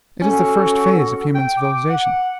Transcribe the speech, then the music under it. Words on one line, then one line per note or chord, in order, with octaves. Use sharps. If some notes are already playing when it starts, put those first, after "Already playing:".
It is the first phase of human civilization.
C#4 F#4 A4 F#5
G5
D6
F#5